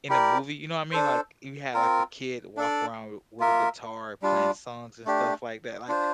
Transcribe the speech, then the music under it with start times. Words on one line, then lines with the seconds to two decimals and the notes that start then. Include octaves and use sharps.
in a movie. You know what I mean? Like, you had, like, a kid walk around with a guitar playing songs and stuff like that. Like,
0.09 E4 G4 A#4 D5
0.92 D4 A4 C5
1.74 C4 F4 A#4
2.57 D4 A4 D5
3.40 A#3 F4 A#4 E5
4.22 G3 D4 F4
5.05 A3 D4 G4
5.88 D4 F4 C5